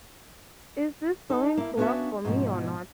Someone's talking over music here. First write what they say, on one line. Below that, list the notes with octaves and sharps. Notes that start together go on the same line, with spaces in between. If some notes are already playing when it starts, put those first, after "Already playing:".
Is this going to work for me or not?
D#4 A4
A#3 E4
A#3 B3 C#4 D4 F#4 E5
G#2 B2 D#3 F3